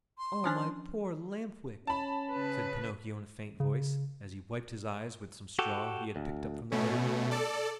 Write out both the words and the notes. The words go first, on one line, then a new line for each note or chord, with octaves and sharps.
"Oh, my poor Lamp-Wick," said Pinocchio in a faint voice, as he wiped his eyes with some straw he had picked up from the ground.
C6
F3 C#4 D4
C#4 A5 B5
C#3 B4
C#3
F#4 G4 A4
D2
B2 A3 C#4
A4 D5